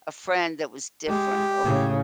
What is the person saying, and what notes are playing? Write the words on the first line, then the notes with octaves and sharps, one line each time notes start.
a friend that was different or f
G#3 G4
A2 C#3